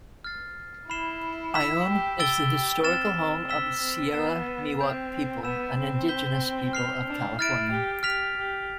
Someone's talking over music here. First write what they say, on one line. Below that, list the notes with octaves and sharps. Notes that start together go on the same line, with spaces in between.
Ione is the historical home of Sierra Miwok people, an indigenous people of California.
F6 A6 C7
E4 B5 F6 C7 E7 G7
E6 B6 E7
G4
G4 E6 A6 D7 G7
G4
C4 F6 A6 E7
C4
E6 B6 E7 G7
C4
B3 E6 A6 C7 E7
C4 G6 D7 F7
B3 B5 E6 G6 B6 E7
C4
G6 B6 E7 G7
F6 C7 F7
D4
E4 F6 A6 D7
G4
G4 F6 B6 F7
G4